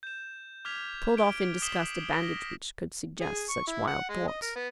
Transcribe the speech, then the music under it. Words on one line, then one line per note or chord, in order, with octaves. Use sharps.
She pulled off in disgust a bandage which could suggest such wild thoughts.
G6 E7
D6 F6 G#6 B6 F7
D7 G7
D#6 B6 C7 E7 F#7 G7
A#6
G#4
C#6
E4
F#5
G#3
D#5
A#4
B3